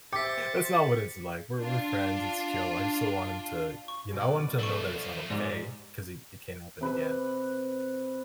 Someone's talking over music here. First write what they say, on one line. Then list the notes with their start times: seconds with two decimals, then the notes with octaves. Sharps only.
that's not what it's like, we're we're friends, it's chill, I just don't want him to, you know, I want him to know that it's not okay, 'cause it it can't happen again,
0.13 G4 C5 E5 D6 A6 B6 C#7
1.60 D4 F4
3.88 C#6
4.12 F#2 B2 D5
4.60 F3 A3 A4 C#6
5.30 G#2 G4 D5
6.81 C3 B4